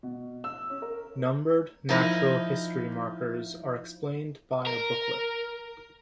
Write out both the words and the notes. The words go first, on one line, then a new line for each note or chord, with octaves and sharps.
Numbered natural-history markers are explained by a booklet.
B2
E6
C#4
A#4
F3 D#4 E4 D#5
A#4